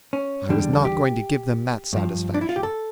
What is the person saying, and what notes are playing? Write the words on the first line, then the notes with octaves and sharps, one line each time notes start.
I was not going to give them that satisfaction.
C#4
E2 D3 G3 D4
A4
G4
G2 F3
D4
E4
F4
G4
A4